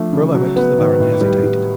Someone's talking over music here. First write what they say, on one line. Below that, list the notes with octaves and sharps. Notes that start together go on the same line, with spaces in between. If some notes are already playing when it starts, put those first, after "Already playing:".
For a moment the Baron hesitated.
Already playing: F3 A3 D4
C#3
F#3
B3
D#3
A2
G3
G3